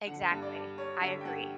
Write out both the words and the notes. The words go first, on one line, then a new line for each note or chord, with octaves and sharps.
Exactly. I agree.
D3 F#5
G2
D5
G2
G3 C#5
D3 E5
G5
G2 F#5